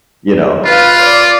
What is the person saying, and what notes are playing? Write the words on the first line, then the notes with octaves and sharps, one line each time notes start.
You know?
F4 B4 F5
D5